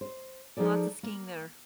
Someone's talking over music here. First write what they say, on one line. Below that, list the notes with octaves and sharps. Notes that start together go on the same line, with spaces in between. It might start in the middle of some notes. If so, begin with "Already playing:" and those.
lots of skiing there,
C5
F3 D#4 G#4 A4 D5
A#3